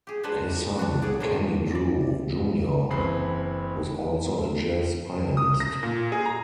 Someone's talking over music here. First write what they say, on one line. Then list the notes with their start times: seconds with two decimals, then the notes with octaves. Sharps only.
His son, Kenny Drew, Junior was also a jazz pianist.
0.07 G4 G#4
0.23 G#3 D4 D#4 B4 C5 F#5
0.79 D4 F#4
1.02 A2 G3 G#4 D5 F#5
1.20 D3 D#3 G#3 A#3 C4
1.75 D5
2.90 F#1 E3 C4 B5 C7
5.37 D#6
5.60 A#6
5.83 A#2
6.12 G#4
6.26 A#5